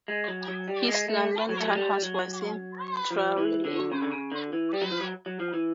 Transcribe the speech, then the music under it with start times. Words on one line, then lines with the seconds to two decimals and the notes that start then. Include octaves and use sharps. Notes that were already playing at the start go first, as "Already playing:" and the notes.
His London townhouse was in Drury Lane.
0.08 G#3
0.28 F#3
0.48 F#3
0.68 G3
0.88 G#3
1.08 A3
1.49 F#3
1.60 A3
1.68 G#3
1.76 G3
2.03 F#3
3.11 F3
3.38 E3
3.65 D3
3.92 C#3
4.02 D3
4.12 C#3
4.32 D3
4.53 E3
4.73 G3
4.82 F#3
4.91 F3
5.01 F#3
5.26 F#3
5.40 F3
5.54 E3